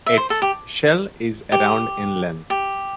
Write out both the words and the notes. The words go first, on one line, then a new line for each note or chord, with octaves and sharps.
Its shell is around in length.
E5
C5
A4
G4
G4
G4